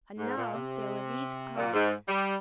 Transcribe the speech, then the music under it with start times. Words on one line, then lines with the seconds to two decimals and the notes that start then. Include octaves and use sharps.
And now there were these cards.
0.19 G#2
0.36 A#2
0.54 C3
1.57 A#2
1.73 G#2
2.08 G3